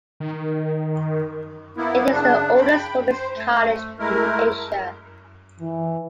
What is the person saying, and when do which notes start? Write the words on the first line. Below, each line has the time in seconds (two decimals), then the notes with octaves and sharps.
It is the oldest women's college in Asia.
0.20 D#3
1.77 A#3 B3 E4
2.11 C#3 D4
2.61 G5 B5
3.10 C5
3.36 A3
3.99 G#3 A3 E4 A#4
5.60 E3